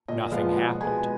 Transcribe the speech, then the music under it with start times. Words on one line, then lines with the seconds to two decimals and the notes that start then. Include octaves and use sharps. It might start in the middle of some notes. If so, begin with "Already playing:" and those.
Nothing happened.
0.08 A#2 D#5
0.32 F3 G#3 B3 F5
0.56 B2 F#5
0.80 G#3 B3 G#5